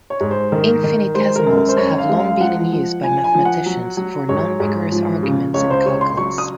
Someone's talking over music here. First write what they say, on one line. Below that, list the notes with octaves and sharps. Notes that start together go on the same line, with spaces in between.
Infinitesimals have long been in use by mathematicians for non-rigorous arguments in calculus.
C#5
G#2
C5
D#3 A#4
D#3
G#3 C5
A#4
F#2
A#4
C5
F#2 C#5
F5
G#3
F5
F3 F#5
F3
F3 G#5
G#5
F3
F#5
F#3
F#3
G#2 C#5
G#2
F3
C#3
C#2 C#5
C5
C#3 C#5
C6
F#3 C#6
D#6